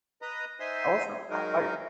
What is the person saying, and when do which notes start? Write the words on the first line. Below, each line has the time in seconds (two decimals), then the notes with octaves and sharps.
I wasn't uh, like
0.22 B4 D#5 A#5
0.60 D#4 C5 E5 G#5 C6
1.30 F#3 G#3 D#4 A#4